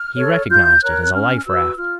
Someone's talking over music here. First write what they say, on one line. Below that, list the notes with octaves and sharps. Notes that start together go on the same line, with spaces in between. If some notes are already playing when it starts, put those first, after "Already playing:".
He recognized it as a life raft.
Already playing: F6
A4 C#5
F4 G6
A#4 C#5 F#6
C#4 F6
F#4 B4 E6
F4 F6